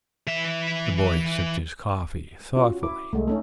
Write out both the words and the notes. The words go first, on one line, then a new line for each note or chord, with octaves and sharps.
The boy sipped his coffee thoughtfully.
E3 E5
C#4 F4 F#4
E4 D6
C2 G#3 A3
A3 C#4 D#4 A4